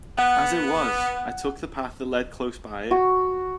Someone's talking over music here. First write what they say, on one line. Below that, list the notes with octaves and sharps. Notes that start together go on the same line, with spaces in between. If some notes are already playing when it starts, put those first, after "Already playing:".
As it was, I took the path that led close by it.
B3 F#5
F#4